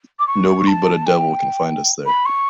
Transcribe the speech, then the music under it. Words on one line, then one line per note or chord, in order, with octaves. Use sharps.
Nobody but a devil can find us there.
D6
C#6
A5
G5
B5
C#6